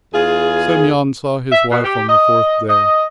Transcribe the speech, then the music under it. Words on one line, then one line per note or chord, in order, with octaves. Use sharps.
Semyon saw his wife on the fourth day.
E2 F4 G#4
E5
B2
G4
D#5
D#5